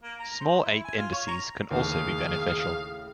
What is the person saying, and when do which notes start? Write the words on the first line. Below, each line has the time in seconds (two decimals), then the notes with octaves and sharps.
Small ape indices can also be beneficial.
0.03 A#3
0.20 A#5
0.40 C5
0.62 E4
0.85 G#5
0.98 F4
1.12 C#5
1.28 A#5
1.71 D#2 A2 C#3 G#4 F5